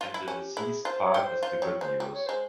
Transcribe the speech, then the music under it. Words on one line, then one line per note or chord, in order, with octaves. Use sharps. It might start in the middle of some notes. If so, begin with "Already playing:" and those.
And the deceased part is the good news.
F4
E4
C#4 G4
E4 G#4
F4 C5
C#5
G4
C5
F4 C5
G3 C#5
G#3 C5
G3
C#5
G#3 C5